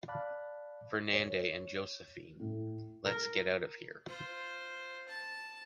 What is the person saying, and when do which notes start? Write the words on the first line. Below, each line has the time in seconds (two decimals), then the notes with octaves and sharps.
Fernande and Joséphine, let’s get out of here!
0.08 D5 F5 A5 B5 F#6
1.13 C#5
2.40 A2
3.06 A#4
4.07 F4 C5
5.08 A5